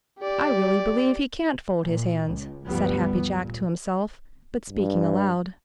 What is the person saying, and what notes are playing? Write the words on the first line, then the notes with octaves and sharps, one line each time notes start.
"I really believe he can't fold his hands," said Happy Jack to himself, but speaking aloud.
G4 D5
A#2
C#2
D2 G2 F3 G3 B3
A#2
G2